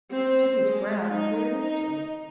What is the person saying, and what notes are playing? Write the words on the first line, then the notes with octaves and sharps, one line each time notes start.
Toomey's brow cleared instantly.
C4
G#3
D#4
D#4